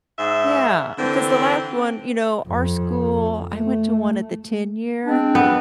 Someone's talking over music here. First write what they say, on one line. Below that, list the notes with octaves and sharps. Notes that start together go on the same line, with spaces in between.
Yeah, 'cause the last one you know, our school I went to one at the ten-year,
G#2 C5 E5
D3 E3 C4
F2
A3
G#3 C4 D4
B3